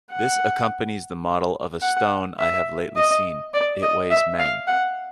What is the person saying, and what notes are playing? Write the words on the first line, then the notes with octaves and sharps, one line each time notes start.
This accompanies the model of a Stone I have lately seene; it weighs Mang.
F#5
F#5
E5
D#5
D5
D#5
E5
F5
F#5